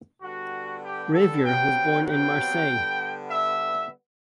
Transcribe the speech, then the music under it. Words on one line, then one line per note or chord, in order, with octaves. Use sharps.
Ravier was born in Marseille.
D3 G3 B3 F#4
G4
A4
C3 F#3 B3 G5
G5
D3 G3 B3
E5